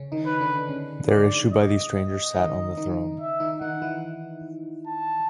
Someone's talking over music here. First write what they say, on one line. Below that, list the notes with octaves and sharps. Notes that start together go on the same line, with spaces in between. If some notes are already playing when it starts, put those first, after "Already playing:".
Their issue by these strangers sat on the throne.
Already playing: C#3 C#4
D#3 D#4
B4
D3 D4
C#3 C#4
D5
D#5
D#5
D#3 D#4
D#3 D#4
E5
D#3 D#4
D#3 D#4 F#5
E3 E4
A5